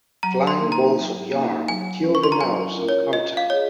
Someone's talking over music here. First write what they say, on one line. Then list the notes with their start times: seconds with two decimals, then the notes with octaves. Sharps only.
Flying Balls of Yarn kill the mouse on contact.
0.23 F#3 A#5
0.47 C6
0.60 A#3 D#4
0.72 A#5
0.95 F#3
1.31 A#3 D#4
1.68 F#3 G#5
2.04 C#4 F4 A#4
2.15 C#6
2.24 C6
2.32 A#5
2.41 F#3 G#5
2.77 C#4 F4 A#4
2.89 C#5
3.12 F4 D#5
3.37 F5
3.49 G#4 C#5 D#5